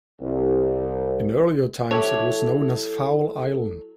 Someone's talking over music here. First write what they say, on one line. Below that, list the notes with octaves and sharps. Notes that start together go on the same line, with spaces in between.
In earlier times it was known as "Fowle Island".
C2
F#3 E4 G4 A4 C#5